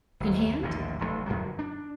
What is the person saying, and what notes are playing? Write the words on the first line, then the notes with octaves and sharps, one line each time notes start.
"In hand?"
F#1 D#2
A#1 D#2 A2 D3
F1 B1 A2 A3
F#2 D3 F3 F#3
D4